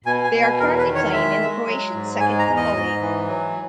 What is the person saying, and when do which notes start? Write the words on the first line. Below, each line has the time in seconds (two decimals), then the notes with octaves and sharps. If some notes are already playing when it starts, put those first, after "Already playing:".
They are currently playing in the Croatian Second Football League.
0.06 B2 G#5
0.24 G#5
0.32 B2
0.41 G#5
0.60 E2 A#4
0.78 B4
0.86 D#3
0.95 C#5
1.12 G#3 E5
1.41 G#3
1.67 F#3
1.94 G#2
2.20 G#3 G#5
2.39 A#5
2.47 E2
2.57 D#5
2.74 G#2
3.01 E3
3.28 F#3